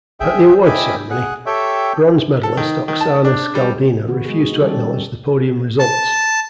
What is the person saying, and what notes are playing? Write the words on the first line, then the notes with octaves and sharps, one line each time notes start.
At the awards ceremony, bronze medalist Oksana Skaldina refused to acknowledge the podium results.
G#4 E5 G5
D#5 E5 G5 G#5 B5 D6
G#4 F#5
G4 A4 C#5 E5 G5
A4
D#3
D#3
A5
D4
G3
D#3 B3 F#4 B4
G#3 G#4
D#3 G3 C#4 G4 A4 D5
A5